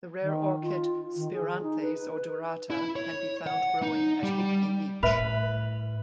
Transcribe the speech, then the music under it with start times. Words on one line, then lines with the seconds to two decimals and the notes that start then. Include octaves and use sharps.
The rare orchid Spiranthes odorata can be found growing at Higbee Beach.
0.22 D#3
0.63 F4
1.16 D#3
1.33 G#4
1.63 D#4
1.82 B4
2.70 E4
2.96 C#5
3.47 F#5
3.83 D#4
4.23 G3
5.03 A2 B4 E5 F6 F7